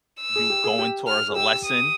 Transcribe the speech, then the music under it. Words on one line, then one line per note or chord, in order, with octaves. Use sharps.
you going towards a lesson
E6
G#4
G4
G#4
G4
F6
G#4
G4 E6
D#6